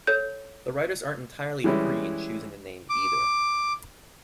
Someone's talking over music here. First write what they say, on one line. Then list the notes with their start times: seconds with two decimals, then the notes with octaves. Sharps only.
The writers aren't entirely free in choosing the name either.
0.07 A4 C#5 G6
1.64 E3 G3 G#3 C#4 E4
2.90 D6